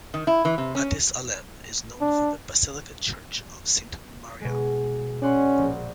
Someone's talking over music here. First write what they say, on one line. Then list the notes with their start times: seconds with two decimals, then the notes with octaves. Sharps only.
Addis Alem is known for the Basilica Church of Saint Maryam.
0.14 D#3
0.27 E4
0.45 E3
0.58 C3
0.75 C#4
2.01 D4
4.41 B2 G#3
5.22 C#4 D5 F#5 C6
5.58 A#1